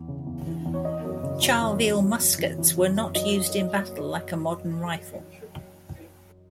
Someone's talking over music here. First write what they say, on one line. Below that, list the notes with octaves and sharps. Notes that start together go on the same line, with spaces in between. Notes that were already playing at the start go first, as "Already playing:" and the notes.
Charleville muskets were not used in battle like a modern rifle.
Already playing: E2 E3
C#3
E2
E3
E2
C#5
E3 D#5
F#2
C#3
F#2
E3
F#2
F#2
F#2
E3
E3
F#2
F#2
F#3 D#5